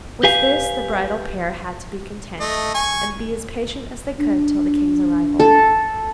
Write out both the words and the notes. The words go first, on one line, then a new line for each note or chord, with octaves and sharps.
With this the bridal pair had to be content, and be as patient as they could till the king's arrival.
G4 B4 F5 G#5
A3 D#5
G#5 C#6
D4
A4